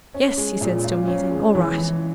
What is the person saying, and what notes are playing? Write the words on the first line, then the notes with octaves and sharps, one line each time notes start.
"Yes!" he said, still musing, "all right!"
C#4
G#3
A#2
F4
C#4
G#3
E3
E3